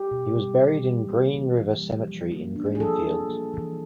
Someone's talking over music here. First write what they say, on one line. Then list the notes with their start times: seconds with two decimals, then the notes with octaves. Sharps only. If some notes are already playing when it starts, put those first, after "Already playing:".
He was buried in Green River Cemetery in Greenfield.
Already playing: G4
0.11 B2
0.36 G3
0.61 E3
0.85 G3
1.09 A#3
1.34 E3
1.58 E3
1.82 G3
2.07 F3
2.31 A#3
2.56 D4
2.75 G#4
2.80 F3 A4
3.05 F3
3.29 A#3
3.54 E3